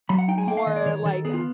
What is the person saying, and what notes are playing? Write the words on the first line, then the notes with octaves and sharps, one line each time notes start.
more like a
F#3 B5
F#5
D#4 G5
G#5
A#3 G5
F5
D#3 D#5
D5
D#3 C#5
D#3 A4
B3 G#4
F4